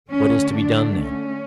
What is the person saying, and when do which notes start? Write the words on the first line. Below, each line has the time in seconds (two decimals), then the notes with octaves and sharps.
What is to be done then?
0.10 D3 A3 C#4
0.58 D4
1.04 C#4